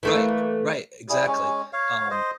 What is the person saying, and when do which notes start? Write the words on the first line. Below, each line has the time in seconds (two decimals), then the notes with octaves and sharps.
Right, right, exactly, um
0.03 E3 A3 A#3
1.09 G3 E4 G#4
1.27 G#3 C#4
1.73 C#5 F5
2.10 C5 D#5